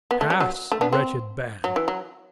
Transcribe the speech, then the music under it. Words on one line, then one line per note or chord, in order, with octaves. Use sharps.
Pass, wretched band!
B3
A3
G3
F#3
A3
B3 D4
C4
F#3
E3
F#3